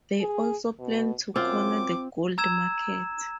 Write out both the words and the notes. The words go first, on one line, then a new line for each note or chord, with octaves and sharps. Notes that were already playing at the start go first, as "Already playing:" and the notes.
They also plan to corner the gold market.
G#4
B2
F#2 C4 F4 D6
A#5 E6 G#6 E7